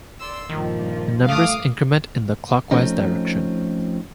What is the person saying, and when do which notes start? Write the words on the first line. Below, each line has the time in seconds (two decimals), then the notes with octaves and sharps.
The numbers increment in the clockwise direction.
0.20 D5 C6 E6
0.49 G2 A#2 D#3 F3
1.28 A3 F5 D6 D#6
2.71 F3 A3 C4 C#4 D#4